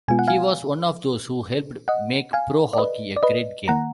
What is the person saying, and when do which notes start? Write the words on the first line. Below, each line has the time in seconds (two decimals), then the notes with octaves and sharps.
He was one of those who helped make pro hockey a great game.
0.08 B2 G#3 B3 F4 G#5
0.19 F#5
0.28 F5 G#5
1.88 D#5 F#5
2.33 F5 G#5
2.73 D5
2.78 B4 D#5
3.16 D5
3.23 B4 D#5
3.68 D#3 A#3 F#5 A#5